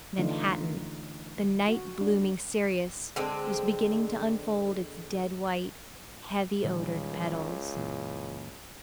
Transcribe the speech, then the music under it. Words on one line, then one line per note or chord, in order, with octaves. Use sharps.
Manhattan, the night-blooming cereus, was beginning to unfold its dead-white, heavy-odoured petals.
D3 E3 A3 D4 D#4 F4
F#4
D4
D3 G#3 C4
C#2 A#2 D#3 G3
F#1 A#2 E3